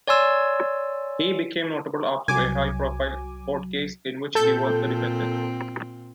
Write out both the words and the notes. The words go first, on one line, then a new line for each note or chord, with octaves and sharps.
He became notable after a high-profile court case in which he was the defendant.
C#5 D5 G#5 C6 E6 G#6
C2 F#3 G#5 D6
A#2 C4 A4 G6